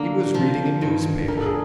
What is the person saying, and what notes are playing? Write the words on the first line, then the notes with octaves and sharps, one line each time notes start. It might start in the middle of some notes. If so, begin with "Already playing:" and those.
He was reading a newspaper.
Already playing: D3 A#3
F3
G2
D3 A#4
A4
G#4